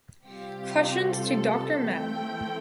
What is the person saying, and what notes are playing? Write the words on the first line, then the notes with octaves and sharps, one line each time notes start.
Questions to Doctor med.
C3 G3 C4 F4 G4
A4
E3 A3 C4 G5